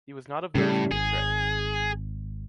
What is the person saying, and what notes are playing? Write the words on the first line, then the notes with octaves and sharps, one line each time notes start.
He was not of those who betray.
A2 C#3 G3
G#1 G#4